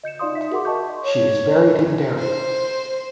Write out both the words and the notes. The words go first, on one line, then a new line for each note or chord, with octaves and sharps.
She is buried in Derry.
D#5 G6 C#7 E7
D#4 F4 D5 F5 C6 D#6
E5 B6
F#4 G#4 A#4 F#5 C6 D6
D#5 A5 C#6 G6
C#5
C5